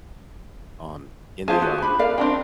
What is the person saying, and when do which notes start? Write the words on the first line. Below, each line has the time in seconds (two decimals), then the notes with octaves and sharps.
on in the, um,
1.48 F4 G4 G#4 C5 F5 A5
1.62 F#4
1.82 D4 B5
1.99 A#4 D5 F5
2.18 C4 D4 D#5 G5